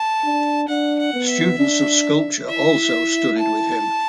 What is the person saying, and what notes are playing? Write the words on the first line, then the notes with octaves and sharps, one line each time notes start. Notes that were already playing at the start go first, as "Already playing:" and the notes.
Students of sculpture also studied with him.
Already playing: A5
D4
D4 F#5
F#5
B3
E5
D4
E4 E5
A5